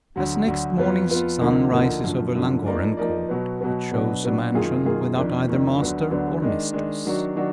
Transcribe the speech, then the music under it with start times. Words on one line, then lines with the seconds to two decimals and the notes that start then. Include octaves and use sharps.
As next morning's sun rises over Llangorren Court, it shows a mansion without either master or mistress!
0.16 D2 D3 F#3
0.47 D2 D3 F#3
0.78 F2 F3 B3 F4
1.09 F2 F3 B3 F4
1.40 D2 D3 F3 A#3 D#4
1.72 D2 D3 F3 A#3 D#4
2.04 F#2 D3 F3
2.35 F#2 D3 F3
2.66 F3 A#3 D#4 A#4 D5
2.97 F3 A#3 D#4 A#4 D5
3.29 B2 F#3 B3
3.61 B2 F#3 B3
3.92 B2 F#3 B3 D4
4.23 B2 F#3 B3 D4
4.54 F#2 D#3 A#3 F4 G#4
4.86 F#2 D#3 A#3 F4 G#4
5.17 F2 D#3 A#3 D4
5.48 F2 D#3 A#3 D4
5.80 D2 D3 F#3 B3 D4
6.11 D2 D3 F#3 B3 D4
6.42 D#3 G#3 D4
6.73 D#3 G#3 D4
7.05 D#3 F#3 D4 F#4
7.36 D#3 F#3 D4 F#4